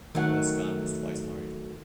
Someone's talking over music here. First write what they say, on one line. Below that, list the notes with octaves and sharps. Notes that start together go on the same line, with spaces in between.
Erskine was twice married.
D#3 F#3 A3 F#5